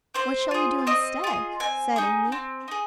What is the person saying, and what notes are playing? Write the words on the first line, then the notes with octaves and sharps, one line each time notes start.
'What shall we do instead?' said Amy.
C4 C5
F4 G#4
C4 D#5
F4 G#4
C4 G#5
D#4 G#4
C4
D#4 G#4